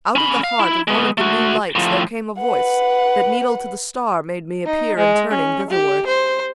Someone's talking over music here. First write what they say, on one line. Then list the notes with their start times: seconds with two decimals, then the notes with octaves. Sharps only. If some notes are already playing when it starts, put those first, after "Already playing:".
Out of the heart of one of the new lights There came a voice, that needle to the star Made me appear in turning thitherward.
0.16 C#4 B5
0.44 F5
0.59 E4
0.88 G#3 B3
1.18 A3 F#4
1.75 A2 F3
2.38 B4 F#5
4.66 D#4
4.97 G#3
5.30 C#4
5.70 G4
6.06 C5